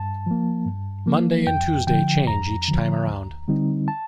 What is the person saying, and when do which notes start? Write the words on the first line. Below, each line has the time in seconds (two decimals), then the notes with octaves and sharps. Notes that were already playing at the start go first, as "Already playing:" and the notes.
Monday and Tuesday change each time around.
Already playing: G2 A5
0.26 F3 A#3
0.66 G2
1.06 F3 A#3
1.47 F2 G5
1.87 D3 F3 G5
2.27 F2 A#5
2.68 D3 F3
3.08 D2
3.48 D3 G3 C4 D#4
3.88 A5